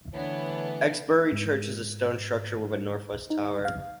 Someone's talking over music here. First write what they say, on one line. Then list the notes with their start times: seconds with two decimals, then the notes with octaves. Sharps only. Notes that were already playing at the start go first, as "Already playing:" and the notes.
Exbury church is a stone structure with a northwest tower.
0.13 D3 E3 A3 B3 D4 C#5
1.32 G#2
3.30 D#4
3.65 F5